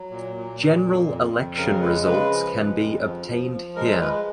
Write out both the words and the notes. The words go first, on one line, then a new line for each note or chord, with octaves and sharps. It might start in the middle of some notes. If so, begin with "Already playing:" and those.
General election results can be obtained here.
Already playing: F#3
A#2
A#2
A#2
F2
F2
F2
C#3 A#4
G#3 B4
C#3 B4
F3
G#3
F2
F3
F3
F3
G#3 A#4
G#3 B4